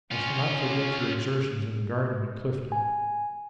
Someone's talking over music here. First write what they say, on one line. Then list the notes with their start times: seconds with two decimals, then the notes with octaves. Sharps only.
'I shall not forget your exertions in the garden at Clifton.'
0.11 C#4 F4
2.72 G#5